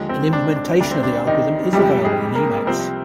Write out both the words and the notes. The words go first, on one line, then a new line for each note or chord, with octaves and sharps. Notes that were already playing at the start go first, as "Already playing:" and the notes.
An implementation of the algorithm is available in Emacs.
Already playing: D#2 D3 F3 G#3
C4
D4
D4
D2 C3 G3 D4
C4
D4
D#3 D#4
F2 C3 F3 G3 G#3 G4
G#3 G#4
A#3 A#4
C2 C3 F3 C4 C5